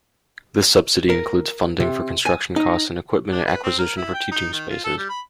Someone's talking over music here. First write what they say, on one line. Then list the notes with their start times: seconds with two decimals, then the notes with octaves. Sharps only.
This subsidy includes funding for construction costs and equipment acquisition for teaching spaces.
1.10 A#4
1.80 C3
2.25 G#5
2.56 D#4
3.31 D4
3.45 B4
3.63 C4
3.79 A#4
3.97 E4
4.13 G5
4.31 D#4
4.53 D#3
4.69 F4
4.84 A4
4.97 G3
5.09 B5